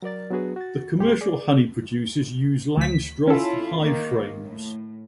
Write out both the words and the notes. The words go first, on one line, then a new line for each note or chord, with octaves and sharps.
The commercial honey producers use Langstroth hive frames.
F#3 A#4 D5 A6
F#3 B3 D4 F#4 G#4 B4
F#4 A6
C2 G#2 C4 G4 G#4 C6
G#4 D5 D6
D2 B6
C#4 E4 F4 A4
D#3 A#3
A2